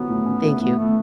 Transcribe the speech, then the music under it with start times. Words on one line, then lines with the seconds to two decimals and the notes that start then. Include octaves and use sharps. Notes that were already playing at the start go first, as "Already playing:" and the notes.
thank you.
Already playing: F#3 B3 C#4
0.08 A2
0.26 C#4
0.44 A3
0.61 A2 B3
0.78 A3